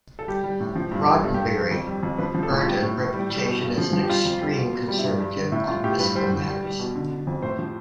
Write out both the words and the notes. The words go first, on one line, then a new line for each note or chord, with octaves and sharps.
Roddenbery earned a reputation as an extreme conservative on fiscal matters.
A4
G3 G4
G3
A2
F3
G2
G2
G2 A4
G2 G4
A4
G2
F2
G3
F2
F3 B4
F3
A4
A2
F4
G3 G4
A2
A2
G3
G3
B2
G2
F3
F3
G4
G3 F4
F2
G3
B2
B2
G3
E4
G2 D4
G2
D3
A2 E4
A2 F4
A2 G4
G2 B4
G3 C5
D3
G3
G3
B2
D3
D3
F2
A2 C5
F3